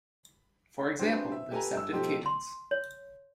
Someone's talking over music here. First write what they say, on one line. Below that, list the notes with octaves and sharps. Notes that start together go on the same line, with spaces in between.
For example, the deceptive cadence.
C4 D4 F#4 G#4 B4 C5
E5
G4 A4 B4 G#5 A#5
G2 E6
B2 F3 C4 D#4 G4 A4
C6
C#5